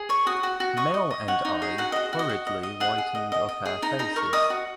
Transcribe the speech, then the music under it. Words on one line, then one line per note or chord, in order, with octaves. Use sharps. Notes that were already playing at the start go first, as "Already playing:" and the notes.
Mel and I hurriedly whitened up our faces.
Already playing: G#4
C#5 C#6
F#4 D#6
F#4
F#4
D#5 C#6
D#5
D#5
C#5 F#5
D#4
G#4
F#4 F#5
F#4 D#5
F#4
D#5
F#4
D#5
D#5
G#4 F#5
G#4
D#5
D#5
D#5
G#4
D#4 A#5
D#4 A#5
A#4 C#6
D#5 D#6
F#4